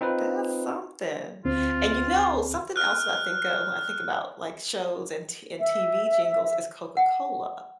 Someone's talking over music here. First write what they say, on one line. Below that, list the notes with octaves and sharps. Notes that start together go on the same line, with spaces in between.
That's something, and, you know, something else that I think of when I think about, like, shows and T and TV jingles, is Coca-Cola
C4 D#4 F4 B4
D2 C4 F4
F6 F#6
E5
F#5